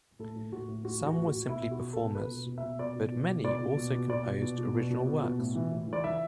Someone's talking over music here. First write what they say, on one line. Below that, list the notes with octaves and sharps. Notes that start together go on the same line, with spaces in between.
Some were simply performers, but many also composed original works.
A2 A4
A2
A2 F#4
A2
A2 F#4
E3
F#4
A2
F#4
A2
B2 E4
B2
F#4
B2
A4
B2
B2 B4
B2
B2
E5
B2
B2 D5
B2
B2
B2
B2 D5
B2
B2
B2
B2 D5
B2
B2
B2
B2
B2
B2
B2
A2
E3
A2
E3
D5
E3 E5